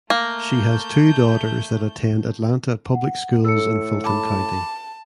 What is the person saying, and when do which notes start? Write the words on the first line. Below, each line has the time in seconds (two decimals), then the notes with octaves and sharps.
She has two daughters that attend Atlanta Public Schools in Fulton County.
0.10 A3 A#3 G6
2.95 F#5
3.45 A2 A4 E6 C#7
4.04 A5 B5 D6